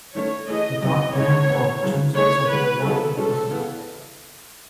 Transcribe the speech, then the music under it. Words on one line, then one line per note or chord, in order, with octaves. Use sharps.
A dark brown dog chews on something white and fluffy.
D#3 A3 C#4 C#5
E3 A3 E4 G#4 D#5
F#2 E3 B3 D#4 D#5
A2 E3 G#3 D#4 C#5
A2 E3 B3 E4
F#2 C#3 E3 G#3
E3 A3 D#4 G#4 C#5
E3 G#3 B3 B4
C#3 F#3 B3 D#4 G#4 A4
B2 G#3 C#4 A4
C#3 E3 B3